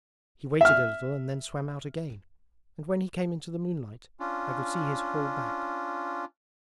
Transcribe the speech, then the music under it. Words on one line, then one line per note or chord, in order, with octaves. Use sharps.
He waited a little and then swam out again; and when he came into the moonlight I could see his whole back.
E5 F6
C#4 D4 F4